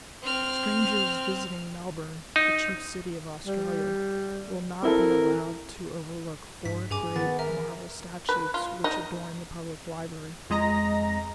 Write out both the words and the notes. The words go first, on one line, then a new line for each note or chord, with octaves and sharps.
Strangers visiting Melbourne, the chief city of Australia, will not be allowed to overlook four great marble statues which adorn the public library.
C4 F6
D#4
G3
C4 E4 A4 A#4
G#2 B6
G2 G#4 G#5 D6
D#3 B3 A6
A#4 E5
B4
F4
D#4
F2 G#3 D#5 A#5 A#6